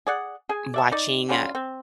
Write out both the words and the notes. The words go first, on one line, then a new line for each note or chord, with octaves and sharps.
watching, uh,
G#4 D5 F#5
G#4 G#5
D5 E5 A5
D#4 D5
D3 G3 C#4 F4
C4